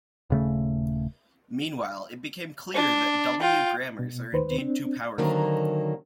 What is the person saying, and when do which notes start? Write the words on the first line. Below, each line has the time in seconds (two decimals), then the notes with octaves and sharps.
Meanwhile, it became clear that W-grammars are indeed too powerful.
0.30 D#1 C#3 A3
2.74 D4
3.41 F4 G5
3.99 B2
4.32 D#2 D#3 B4 C5
4.58 C4 D4
5.18 D3 D#3 F#3 A#3 C4